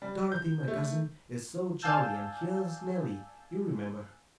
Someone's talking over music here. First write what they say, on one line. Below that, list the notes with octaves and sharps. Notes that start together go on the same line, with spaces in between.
"Dorothy, my cousin, is so jolly, and here's Nellie--you remember her?"
G3
G6
A3
D5 F5 G#5 A5 E6 G6